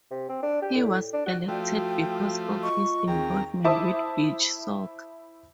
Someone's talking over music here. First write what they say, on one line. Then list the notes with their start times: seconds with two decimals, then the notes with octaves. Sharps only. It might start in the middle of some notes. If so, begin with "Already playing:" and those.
He was elected because of his involvement with beach soccer.
0.11 C3
0.29 C4
0.43 D4
0.62 G4
0.75 A2
1.13 D4
1.26 F#4
1.48 F3 A3 F#4 G5
2.63 F4 D#5 C#6
3.08 D#2 C4 G#4 G5 A#5
3.64 E4 C5 E5 A5 D6 D#6